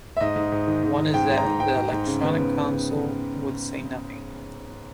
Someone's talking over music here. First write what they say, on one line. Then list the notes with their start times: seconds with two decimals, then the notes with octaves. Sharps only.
One is that the electronic console would say Nothing here.
0.17 E5
0.21 G#2 D#5
0.36 G#2
0.52 G#2
0.67 D#3
0.83 G#2
0.98 G#2
1.14 G#2 G5
1.30 G#2
1.37 A#5
1.45 G#2
1.60 G#2 G5
1.76 G#2
1.92 G#2
2.06 C#3
2.23 B3
2.38 C#3